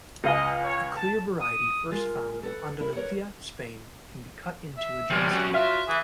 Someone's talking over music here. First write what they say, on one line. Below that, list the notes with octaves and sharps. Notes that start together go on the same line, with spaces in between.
A clear variety first found in Andalusia, Spain can be cut into a gemstone.
C#2 D#5 F5 G#5
C#5
A5
D#6
G#3 F4 A#4
A4 B4 F#5
E4 A#4
A#4 B4 C#5 F#5
E5
F3 G3 G#3
F#3 C#4
F#3 F4 E5 F6
E3 G#4 D#6